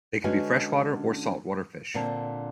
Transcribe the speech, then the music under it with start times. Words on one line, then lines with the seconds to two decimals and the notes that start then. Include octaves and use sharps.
They can be freshwater or saltwater fish.
0.24 D3 G#3 C#4 F#4 B4 G#5
1.94 A#2 D3 A#3 C4 A5